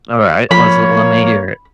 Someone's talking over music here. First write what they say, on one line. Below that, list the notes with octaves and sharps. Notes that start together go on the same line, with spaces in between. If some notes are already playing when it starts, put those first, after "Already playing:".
Alright. Let's l let me hear it.
F3 A#3 C#5 B5